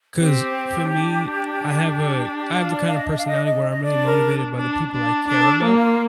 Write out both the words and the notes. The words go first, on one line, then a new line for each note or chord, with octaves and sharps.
'Cause for me, I have a I have the kind of personality where I'm really motivated by the people I care about.
C4 G4
D4
G4
F4
D5
F5
D#5
D#5
F5
D#5
D#5
D#5
D4 D5
A#4
D4
D4
D4 A4
A#4
A4
A#3
F4